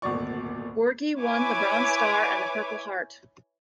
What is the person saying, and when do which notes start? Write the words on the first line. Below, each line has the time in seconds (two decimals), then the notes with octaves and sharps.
Borghi won the Bronze Star and the Purple Heart.
0.02 D#1 G#1 D2 B2 D5 C#6
1.21 E4 B4 C#5 G#5 D6